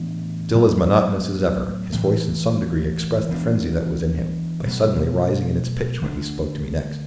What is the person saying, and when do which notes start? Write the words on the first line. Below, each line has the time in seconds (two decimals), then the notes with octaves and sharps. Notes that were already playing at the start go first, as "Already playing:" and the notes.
Still as monotonous as ever, his voice in some degree expressed the frenzy that was in him, by suddenly rising in its pitch when he spoke to me next.
Already playing: A2 E3 B3 D4
0.55 A2 F#3 B3
1.93 A2 E3 A3
3.29 E3 B3 D4
4.65 B2 F#3 A3
6.02 D3 A3 D4